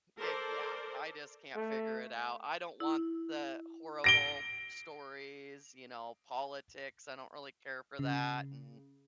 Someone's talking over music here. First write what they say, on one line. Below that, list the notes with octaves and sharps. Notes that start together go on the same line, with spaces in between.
it yeah, I just can't figure it out. I don't want the horrible stories, you know, politics, I don't really care for that, and,
A4 A#4 C5 D5
A3
E4
A#6 D7 G7
C#3